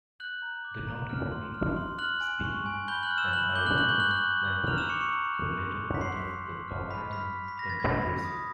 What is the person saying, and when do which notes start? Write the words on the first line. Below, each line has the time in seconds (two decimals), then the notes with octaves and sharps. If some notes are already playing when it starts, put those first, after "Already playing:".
The Nottoway people, speaking an Iroquoian language, were later part of the Powhatan Confederacy.
0.20 F#6 G6 F#7
0.42 A#5
0.64 D6
0.87 A#5
1.09 F6
1.32 C6
1.54 F6
1.77 C6
1.98 F6 F#6 F#7
2.21 G#5
2.43 C#6
2.66 G#5
2.88 B5 G6 G7
3.03 F#6 F#7
3.11 F6
3.18 E6 E7
3.33 B5 F#6 F#7
3.55 D6 G6 G7
3.66 F#6 F#7
3.78 C#6 F#6 F#7
3.89 G6 G7
4.00 C#6 F#6 F#7
4.11 F#6 F#7
4.22 C#6
4.45 E6
4.67 A#5 F6 F7
4.78 E6 E7
4.89 C#6 D6 C#7
5.00 C#6 C#7
5.12 A#5
5.34 F#6
5.56 C6
5.79 C6
5.94 B6
6.01 C6 C7
6.23 G6
6.46 C6
6.68 F6
6.90 B5 F6 B6
7.12 B5 F6 B6
7.35 B5
7.48 B6
7.58 B5 A#6
7.70 A6
7.80 B5 G#6
8.02 B5
8.24 D#6